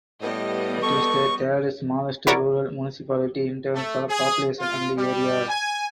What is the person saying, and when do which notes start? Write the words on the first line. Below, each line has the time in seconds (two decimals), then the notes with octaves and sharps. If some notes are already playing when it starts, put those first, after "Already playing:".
It is the third smallest rural municipality in terms of population and area.
0.22 A2 G3 B3 D#5
0.83 A4 C#6
2.27 E4 F#4 A#4 C#5 D5
3.75 A3
4.08 G#4
4.59 F4
4.97 G3
5.48 G#5